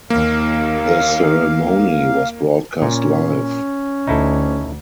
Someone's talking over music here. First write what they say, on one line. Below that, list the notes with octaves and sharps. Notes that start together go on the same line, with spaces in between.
The ceremony was broadcast live.
D#2 A#3 F5
A#2 C#4
D2 D#4 E4 A4